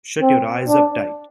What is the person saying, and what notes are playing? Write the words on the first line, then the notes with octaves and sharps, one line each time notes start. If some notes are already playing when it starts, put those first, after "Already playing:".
Shut your eyes up tight.
C4
D4